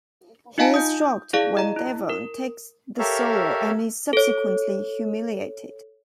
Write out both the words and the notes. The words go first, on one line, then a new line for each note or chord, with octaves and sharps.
He is shocked when Devon takes the solo and is subsequently humiliated.
D#4 F4 D#5 F5 G#5 A5
D#6 G6
E4 G#4 D5 F5
D#5 A#5
E4
A#4
G4 A4 A#4 C#5 E5 F5
A4 C#5